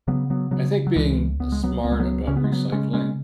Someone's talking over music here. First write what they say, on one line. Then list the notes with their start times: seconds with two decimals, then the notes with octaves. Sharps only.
I think being smart about recycling,
0.08 C#3 F#3 B3
0.30 F#3 B3
0.51 C#3 F#3 B3
0.87 F#3
0.96 C#2 E3 G#3
1.40 C#2 B3
1.52 G#3
1.63 F#3 B3
1.84 C#2 B3
1.92 G#3
2.00 F#3 B3
2.27 C#3 C#4
2.37 B3
2.44 G#3
2.52 F#3 B3
2.72 C#3 G#3 C#4
2.93 G#3 C#4